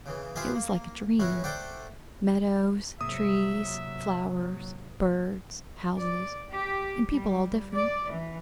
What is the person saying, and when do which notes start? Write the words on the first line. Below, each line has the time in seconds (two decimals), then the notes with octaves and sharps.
It was like a dream--meadows, trees, flowers, birds, houses, and people all different!
0.06 C#3 E3
0.36 F4 G4 G#4 B4 C5 E5
0.54 A#3
1.20 A2 B3 C#4 E4 F#4
1.44 A3 C5 D5 E5 F#5 G5
3.01 G#2 C3 F#3 A#3 E5 D#6
5.98 D5
6.52 G4
7.07 G3
7.73 D5
8.10 E3